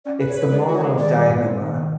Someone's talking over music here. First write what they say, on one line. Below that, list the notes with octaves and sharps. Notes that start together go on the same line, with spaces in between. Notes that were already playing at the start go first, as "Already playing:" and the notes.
I It's the moral dilemma,
C#4 D5
B4
C#5
B4
G#3 D5
F#4
C#5
G#3
D#3 D5
G3
G#2
C4
D#3
D#3